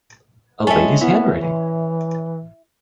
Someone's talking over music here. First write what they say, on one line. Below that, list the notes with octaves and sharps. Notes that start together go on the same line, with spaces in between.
A lady’s handwriting!
G3 G#3 C#4 A4 E5
B3 E4
E3